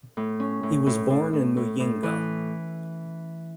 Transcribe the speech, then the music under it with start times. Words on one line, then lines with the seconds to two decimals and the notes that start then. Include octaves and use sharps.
He was born in Muyinga.
0.17 A2
0.40 C#4
0.63 A2
0.86 A2
1.10 A2
1.33 A2
1.57 A2
1.80 A2
2.03 E3